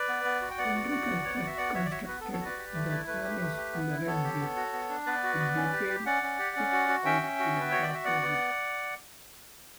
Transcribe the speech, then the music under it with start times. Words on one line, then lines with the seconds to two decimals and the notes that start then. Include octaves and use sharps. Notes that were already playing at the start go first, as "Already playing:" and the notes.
Henry constructed the palace in red brick, with detail picked out in darker brick.
Already playing: B4 D5
0.09 B3
0.25 B3
0.42 F#4
0.50 G5
0.58 B3 D5 F#5
0.75 F#4
0.91 F#4
1.08 B3
1.25 B3 C#5
1.35 D5
1.42 F#4 E5
1.57 B3 D5 F#5
1.74 F#4 C#5 E5
1.85 D5
1.91 F#4 C#5 E5
2.08 B3 B4
2.21 A4
2.24 B3
2.33 A4 C#5
2.40 F#4 B4 D5
2.57 G4
2.74 A3
2.91 E4
3.07 A3 B4
3.24 G4
3.41 A3
3.57 G4
3.73 B3
3.90 E4
4.06 B3 A4 C#5
4.23 G4
4.41 B3
4.56 F#4
4.73 B3
4.89 D4
5.06 B3 B4 D5
5.23 F#4
5.40 B3
5.56 C#4
5.73 G4
5.89 G4
6.05 C#4 D5 F#5
6.23 C#4
6.39 G4
6.56 C#4
6.72 F#4
6.89 F#4
7.05 C#4 E5 G5
7.22 C#4
7.39 F#4
7.55 B3 B4
7.71 F#4 C#5
7.83 D5
7.88 F#4
7.94 E5
8.05 B3 D5 F#5
8.22 B3